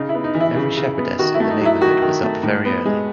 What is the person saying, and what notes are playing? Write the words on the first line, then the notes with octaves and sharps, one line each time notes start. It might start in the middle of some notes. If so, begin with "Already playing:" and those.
Every shepherdess in the neighborhood was up very early.
Already playing: C#3 D#4
E4
B3
D#4
E3
E4
C#3
C#3
B3
D#3 F#4
E4
A3
D#4
F#3 E4
D#3 F#4
D#3
A3
A2
B3
G#3